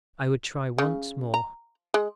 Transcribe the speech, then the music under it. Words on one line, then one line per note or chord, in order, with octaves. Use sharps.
I would try once more.
C#3
A#5
G#3